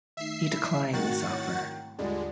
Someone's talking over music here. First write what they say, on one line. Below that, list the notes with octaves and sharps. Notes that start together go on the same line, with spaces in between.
He declined this offer.
D#3 A3 D#4 E5 C7
E4
G#2 D#3 A3 C4 F#4 F#5 A6
E4 C#5
D#2 D3 G3 G#3 D4 F4